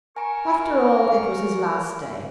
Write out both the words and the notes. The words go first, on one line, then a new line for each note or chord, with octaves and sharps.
After all it was his last day.
A#4 G#5 A#5 C#6